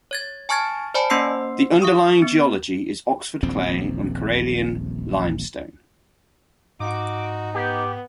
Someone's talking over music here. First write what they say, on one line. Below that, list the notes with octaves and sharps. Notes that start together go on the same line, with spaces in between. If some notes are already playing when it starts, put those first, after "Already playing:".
The underlying geology is Oxford clay and Corallian limestone.
C#5 G#6 A6
G#5 A5 C#6 F6 G#6 A6
C5 D5 G#5 A5 B5
A#3 C#4 C5 C6 E6 C7
F5 C#6 D#6
B3
D#1 A#1 E2 C4
G#2 D#4 F#4 D6
B3 G4